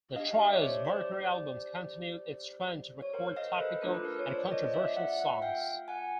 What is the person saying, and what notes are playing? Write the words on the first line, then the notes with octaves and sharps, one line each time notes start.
The trio's Mercury albums continued its trend to record topical and controversial songs.
D4 G4 D#5 F5
D5 E5
C#5
C5 D5
C5 D5
C#5
A#4 C5
D#5 F5
C5
A4 B4
A3 D4 F4 A4
B4
A#4
C#5
C5 D5
C#5 D#5
D5 E5
E5 F#5
E5 F#5
F5 G5
F#5 G#5